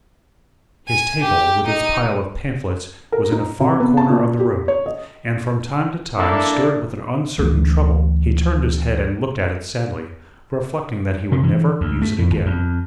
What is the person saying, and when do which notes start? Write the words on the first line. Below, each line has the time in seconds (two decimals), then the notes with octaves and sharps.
His table, with its pile of pamphlets, was in a far corner of the room, and, from time to time, stirred with an uncertain trouble, he turned his head and looked at it sadly, reflecting that he would never use it again.
0.88 G#5
1.23 G4
1.66 D#4
3.12 A#4
3.32 D#4
3.61 C3
3.80 B3
3.97 A5
4.10 A#2
4.40 G4
4.68 C#5
4.86 D#5
6.17 A#3 D4 E4 A4
7.38 D2 E3
11.32 C3
11.43 E3
11.81 D2
12.02 A3
12.19 F2
12.31 G#1
12.46 F2